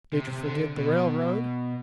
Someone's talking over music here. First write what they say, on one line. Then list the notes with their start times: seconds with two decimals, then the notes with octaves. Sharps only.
Did you forget the railroad?
0.13 C3
0.28 C3
0.44 D3
0.76 B2